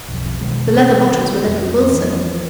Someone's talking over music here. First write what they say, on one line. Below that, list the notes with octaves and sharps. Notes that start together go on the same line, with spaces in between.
The leather bottles were left with Wilson.
B1 F2
B2 D#3 E3 G#3
F2
E3 F3